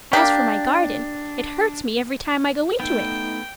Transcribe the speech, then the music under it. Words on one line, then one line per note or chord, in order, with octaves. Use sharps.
As for my garden, it hurts me every time I go into it.
A#3 D4 G4
A3 B3 D#4 G5